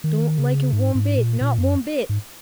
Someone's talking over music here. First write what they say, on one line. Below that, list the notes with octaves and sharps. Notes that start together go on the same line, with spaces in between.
Don't like it one bit, not one bit!
D#3
C#3
G#2
G#2
A#2
A#2
F#2
G#2